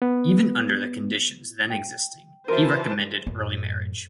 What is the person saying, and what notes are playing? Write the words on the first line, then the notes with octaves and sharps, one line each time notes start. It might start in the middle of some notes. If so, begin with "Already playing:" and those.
Even under the conditions then existing, he recommended early marriage.
B3
G5
E3 F#4 A#4 C5 E5 A5 C6 D#7
F#2 A2